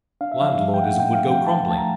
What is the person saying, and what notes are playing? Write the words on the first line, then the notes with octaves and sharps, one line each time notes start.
Landlordism would go crumbling.
D4 F5
E5
F3 F5
F3
G5
A3 F#5
D4 G5
F5
F3
G5
F3 A5
A3 A5
A#5